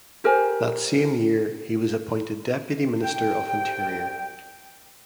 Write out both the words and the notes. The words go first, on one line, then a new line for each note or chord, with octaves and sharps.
That same year he was appointed deputy minister of Interior.
G4 A#4 C5 G#5
C2 G5